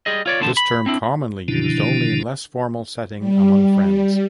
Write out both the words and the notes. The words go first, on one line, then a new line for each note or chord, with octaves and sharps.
This term commonly used only in less formal setting among friends.
G3 G#4 D#5
F4 C#5 D5
E2 A2 D3 F3 A5
B5
C4 D4 E4
B2 D3 D#3 F3 D4 E4
G3